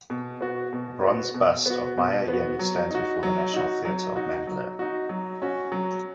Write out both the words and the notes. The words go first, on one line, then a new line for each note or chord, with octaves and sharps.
A bronze bust of Mya Yin stands before the National Theatre of Mandalay.
B2
B3 F#4
B2
B3 F#4
B2
B3 F#4
B2
B3 F#4
F#3
D#4 F#4
F#3
D#4 F#4
F#3
D#4 F#4
F#3
D#4 F#4
F#3
C#4 F#4
F#3